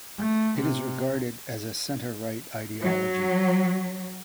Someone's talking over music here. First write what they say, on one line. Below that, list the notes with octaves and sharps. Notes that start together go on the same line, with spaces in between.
It is regarded as a centre-right ideology.
A3
C3
F#3